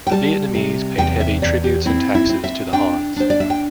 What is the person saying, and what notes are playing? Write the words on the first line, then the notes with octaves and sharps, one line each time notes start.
The Vietnamese paid heavy tributes and taxes to the Hans.
G5
G3 A5
C3
E2 G5
E5
E2 D5
G4
C4 E4
E4
C4
E5
D4 G5
D4 C5
D5
E5
G5